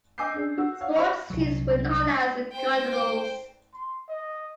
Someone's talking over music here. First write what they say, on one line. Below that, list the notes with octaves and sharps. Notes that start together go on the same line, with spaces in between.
Sports teams were known as the Cardinals.
D#5 G#5 D6 E6 G6 C7
C#4 D4 G#4
F#4 E6
C#5 F5 F#5
C5 D5 B5 C#6 C#7 F7
C2 F#3
C5 G5
C6
D#5